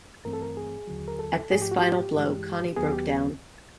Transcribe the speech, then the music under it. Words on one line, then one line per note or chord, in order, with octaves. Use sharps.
At this final blow Connie broke down.
G2 E3 A3 C4 A#4
A4
A#4
G#4
D#2 D3 F#3
A#4
A4
G#2 F3 A3 G#4
G4
F#4
G4
G2 E3 G#3
D#2 D#3 F#3 B3 G#4
G4